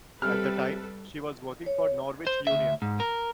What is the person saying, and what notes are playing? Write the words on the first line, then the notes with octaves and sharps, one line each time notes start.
At the time she was working for Norwich Union.
C3 G3 A4 B4 F6
C#5
C5
D2 E5
G#2
A#4